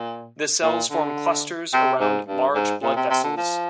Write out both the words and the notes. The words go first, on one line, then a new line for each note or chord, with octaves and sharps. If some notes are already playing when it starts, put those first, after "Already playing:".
The cells form clusters around large blood vessels.
Already playing: A#2
A#2
D3
C3
G#2
G2
G#2
A#2
C3
C3
D3
F3